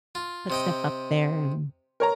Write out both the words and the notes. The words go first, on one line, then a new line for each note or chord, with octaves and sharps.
put stuff up there and,
F4
C3 D#5 G5
A#4 C#5 A#5